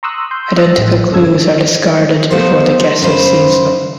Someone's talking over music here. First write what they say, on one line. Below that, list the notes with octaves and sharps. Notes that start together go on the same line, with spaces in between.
Identical clues are discarded before the guesser sees them.
A#5 C6 C#6 D#6 E6 F#6
C6 G6
D#6 E6 F#6 A6 A#6
A1
G2 C#3 A4 E6 G#6
F3 A3 B3 G4 C5
F#2 C#3 B4 C5